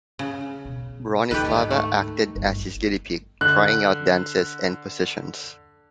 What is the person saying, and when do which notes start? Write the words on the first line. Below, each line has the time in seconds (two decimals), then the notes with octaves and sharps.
Bronislava acted as his guinea-pig, trying out dances and positions.
0.19 C#3
0.65 B2
1.31 D2 G#2 D#3 G4 A4 B4
1.71 A3
2.35 G1
3.41 D3 F#6